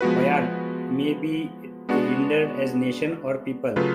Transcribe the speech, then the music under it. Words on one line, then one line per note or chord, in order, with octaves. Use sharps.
"Bayan" may be rendered as "nation" or "people".
F3 G#3 B3 F#4 B4
G#3 B3 D4 F#4
C#3 F#3 A3 F4 B4